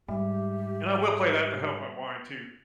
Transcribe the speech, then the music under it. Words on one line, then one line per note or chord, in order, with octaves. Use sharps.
And I will play that to help unwind too.
G#2 G3 G4 E5